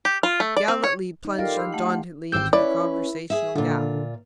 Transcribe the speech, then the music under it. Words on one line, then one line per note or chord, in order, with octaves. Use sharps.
Galletly plunged undauntedly into the conversational gap.
G4
F4
A3
D5
C4
C#5
D#4
F4 G4 A4 A#4 D5 F5
B5 C6 E6
A3 F#5
G#1 G4 C5 G5 E6 G6
C#4 E4 B4 D5
G#4 E5
A#2 D3 F4